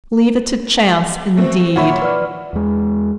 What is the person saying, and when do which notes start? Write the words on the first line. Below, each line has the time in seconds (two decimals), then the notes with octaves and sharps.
Leave it to chance indeed!
1.36 B2 A3 C4
1.76 A#2 C#5 E5 F#5 B5
2.02 B4 D5 F6
2.53 E2 G#3